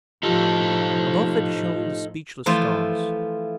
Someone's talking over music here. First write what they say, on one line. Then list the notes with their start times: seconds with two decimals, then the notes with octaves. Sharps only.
Above it shone the speechless stars.
0.23 A2 F3 D#4 F4 G4 A4
2.46 E3 F3 A3 F4